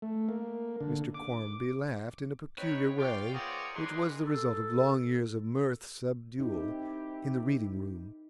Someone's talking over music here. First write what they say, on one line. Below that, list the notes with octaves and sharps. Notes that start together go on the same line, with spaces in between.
Mr Quarmby laughed in a peculiar way, which was the result of long years of mirth-subdual in the Reading-room.
A3
A#3
D3
D6
C4 D#4 B4 C#5
F4 C#5 D5 F5 G5
F3 B3 G#4 A#4 C#5 D5
A#2 D#4 G4 G#4 B4 C6
A4
C4 D#4 E4 G4